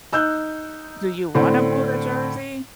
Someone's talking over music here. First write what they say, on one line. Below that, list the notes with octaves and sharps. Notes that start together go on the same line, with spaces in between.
Do you wanna move to Jersey?
D#4 E6 F#6 G6
A2 D3 C4